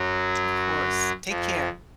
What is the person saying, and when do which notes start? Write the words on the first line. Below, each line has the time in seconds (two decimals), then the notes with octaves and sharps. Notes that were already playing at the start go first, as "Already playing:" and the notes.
Of course. Take care.
Already playing: F#2 F#3
1.29 F2 F3